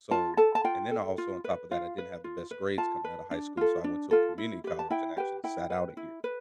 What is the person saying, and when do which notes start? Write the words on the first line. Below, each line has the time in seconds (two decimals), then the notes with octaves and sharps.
so and then I also, on top of that, I didn't have the best grades coming out of high school, so, I went to a community college and actually sat out a year
0.11 F4 A5
0.37 A4 A5
0.55 A5
0.64 F4 G5
0.91 A4
1.18 F4
1.44 B4
1.71 F4 F5
1.98 B4
2.24 F4
2.51 B4
2.78 F4 A5
3.04 B4
3.31 D4
3.57 F4 A4
3.84 D4
4.11 F4 A4
4.38 E4
4.64 G4 B4
4.79 A5
4.90 E4 G5
5.17 G4 B4 G5
5.44 E4 G5
5.70 B4
5.97 E4
6.24 B4